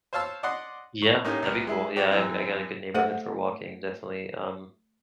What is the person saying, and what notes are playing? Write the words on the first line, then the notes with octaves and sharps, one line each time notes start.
Yeah. That'd be cool, yeah. I g I got a good neighborhood for walking, definitely, um
C5 C#5 F5 A5 E6
D5 D#5 F#5 C6
C#6
A2 A#3 C#4 D#4 G4
C2 B3 F6
G#3 E4
F#4 D5 G5
F#2 C3 E3
A3 A4 C5 E5 F#5